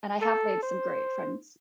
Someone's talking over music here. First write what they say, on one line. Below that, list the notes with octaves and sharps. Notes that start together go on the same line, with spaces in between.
And I have made some great friends.
A4
C5